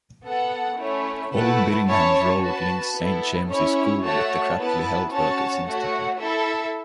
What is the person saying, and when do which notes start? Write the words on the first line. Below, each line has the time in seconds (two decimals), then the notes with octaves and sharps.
Old Birmingham Road links Saint James's School with the Cradley Heath Workers' Institute.
0.24 B3 A4 F#5
0.78 A3 C#4 E4 C#5
1.32 A3 E4 B4 F#5 A5
1.87 C#4 E4 C#5 A5
2.40 F#4 B4 A5
2.95 B3 E4 A4
3.49 C#4 E4 C#5
4.03 A3 F#4 C#5 A5
4.57 B3 E4 B4 A5
5.12 C#4 F#4 C#5 A5
5.66 A3 F#4 C#5 F#5
6.20 E4 A4 E5